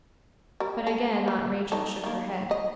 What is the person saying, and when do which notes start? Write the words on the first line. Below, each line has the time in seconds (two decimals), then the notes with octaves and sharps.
But again Aunt Rachel shook her head.
0.60 G3 A#4
0.87 A4
1.28 A#3
1.72 D#4 A4
2.04 D#3 A#3
2.51 D#5